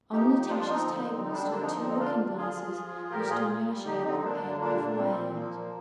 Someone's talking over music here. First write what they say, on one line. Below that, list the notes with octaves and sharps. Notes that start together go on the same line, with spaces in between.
On Natasha's table stood two looking glasses which Dunyasha had prepared beforehand.
F3 D#4 G4
F3
F3 D4 F4
F3 C4 D#4
D3
D3
G3 D#4
D4
D3 C4
A#3 D4
F3 C4 D#4
D3
D#4
D3 D4 F4
D3
F3 F4 G#4
F3
F3
F3
A#2 G4 A#4
A#2 F4 G#4
A#2
G3
D3 D#4 G4
D3 C4 D#4
D3 A#3 D4
D3
A#2 A#3 D4
A#2
G3 C4
A#2
F3 A#3
A#2